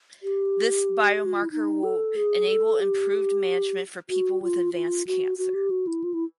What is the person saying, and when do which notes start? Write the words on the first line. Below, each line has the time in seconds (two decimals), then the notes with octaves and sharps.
This biomarker will enable improved management for people with advanced cancer.
0.23 G4
1.26 F#4
1.34 F4
1.43 E4
1.51 D#4
1.84 A4
2.16 G#4
2.48 A4
2.80 G4
4.10 F#4
4.42 F4
4.74 F4
5.07 F#4
5.38 F#4
5.54 G4
5.70 F#4
5.87 E4
6.04 F4
6.14 E4